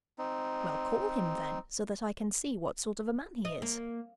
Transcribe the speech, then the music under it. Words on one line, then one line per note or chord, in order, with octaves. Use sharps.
'Well, call him then, so that I can see what sort of a man he is.'
C4 D#4
D#5
A#3